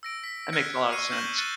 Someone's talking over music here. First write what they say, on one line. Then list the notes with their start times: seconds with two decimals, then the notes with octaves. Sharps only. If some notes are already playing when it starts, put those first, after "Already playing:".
That makes a lotta sense.
0.03 E6 A#6 D7
0.24 B6
0.53 F6 F#6 G#6 A#6 C#7
0.91 C#6 E6 F6 C7 C#7 D#7
1.10 C#6 F6 G6 A#6 E7 F#7
1.38 F#6 A6 C#7 G7